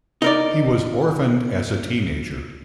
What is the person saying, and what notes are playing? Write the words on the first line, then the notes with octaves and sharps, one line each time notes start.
He was orphaned as a teenager.
D#4 A#4 D5